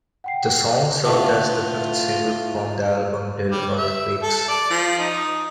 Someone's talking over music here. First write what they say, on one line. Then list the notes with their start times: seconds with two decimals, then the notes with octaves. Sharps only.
The song served as the fifth single from the album "Little Earthquakes".
0.24 F#5 G5 C7
1.05 D2 A2 B3 F4 F#5 A5
3.51 G3
3.77 E5
4.23 A4
4.48 D5
4.70 F3
4.98 D#4